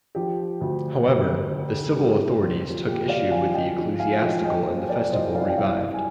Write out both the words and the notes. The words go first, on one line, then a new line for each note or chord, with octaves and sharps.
However, the civil authorities took issue with the ecclesiastical and the festival revived.
F3 G4
D2
D2
D3
C2 G4
F3 F4
A#2 G4
D5 F5
F3 F5 G#5
D#5 G5
F3
F5 G#5
F3 D#5 G5
D#5 G5
A#2 C5 D#5
A#4 D5
C2 C5 D#5
D5 F5
G5
C2 D5 F5
G#5